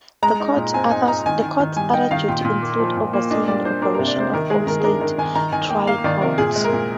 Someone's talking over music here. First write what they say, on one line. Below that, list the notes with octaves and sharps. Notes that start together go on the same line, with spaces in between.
The Court's other duties include overseeing the operations of all state trial courts.
G#3 A#5
D#4
A#2
C4 G#5
D#4 G#5
D#4 A#5
D#3 G#5
D#3
D#3
G3 G#5
D#4 G5
D#3 F5
A#2 G5
A#2
A#3
F3
A#2
A#3
D4 D#5
G3 D5
D4 C5
D4 A#4
A#4
C3
D5
C3 C5
D#3 A#4
G#3 G#4
D#3 A#4
G#4
D4 A#4
D#3 A#4
D#3 G#5
D#3 A#5
D#3 G#5
A#3 G5
A#3 F5
D#3 D5
C3 A#4
A#2 G#4
G#3
A#4
A#2